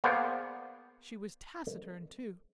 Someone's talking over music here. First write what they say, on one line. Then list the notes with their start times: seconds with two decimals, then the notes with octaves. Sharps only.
She was taciturn, too.
0.04 A#3 B3 G#4 C5 D5 F#5